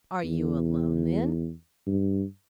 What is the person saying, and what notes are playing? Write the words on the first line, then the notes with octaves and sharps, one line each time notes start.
'Are you alone, then?'
E2
G2